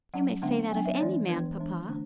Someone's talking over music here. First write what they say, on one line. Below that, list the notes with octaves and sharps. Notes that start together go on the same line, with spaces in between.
"You may say that of any man, papa."
F#3 C#4 F#5
D3 G#3 B3 D4 F#5
F#3 B3 D4 G#5
E5
C#5
E3 G#3 D4 D5
E3 B3 D4 B4
E3 G#3 D4
D3 A3 D4